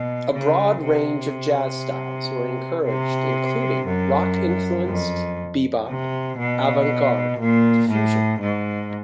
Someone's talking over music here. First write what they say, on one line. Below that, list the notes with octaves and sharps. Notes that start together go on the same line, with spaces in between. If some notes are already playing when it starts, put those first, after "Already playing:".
A broad range of jazz styles were encouraged including rock-influenced, bebop, avant-garde to fusion.
Already playing: B2
C#3
C3
C3
F#2
F2
C3
B2
A#2
A2
G#2